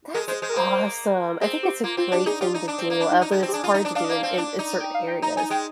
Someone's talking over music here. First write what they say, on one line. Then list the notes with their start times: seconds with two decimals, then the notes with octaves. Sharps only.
That's awesome. I think that's a great thing to do, although it's hard to do in in in certain areas.
0.14 G#3 A#4
0.28 G#3 C5
0.42 G#3 C5
0.49 A#4
0.56 A#3 C5
1.41 C4 G#4
1.63 G4
1.83 A#3 F4
1.97 C4 F4
2.12 D4 G4
2.26 D#4 G#4
2.41 F4 G4
2.54 D#4
2.68 D4
2.78 C4
2.90 A#3
3.00 D4
3.11 D#4
3.22 D#4
3.31 G#3
3.43 C4
3.49 G4
3.52 D4 G#4
3.64 F4
3.74 D#4
3.85 D4
3.95 D4 F5
4.05 D#5
4.09 A#3 F5
4.23 C4
4.38 D4
4.59 D#4
4.80 G5
4.94 F5
5.08 G5
5.22 D#4 A#5
5.37 D#4 G#5
5.50 G#3 G5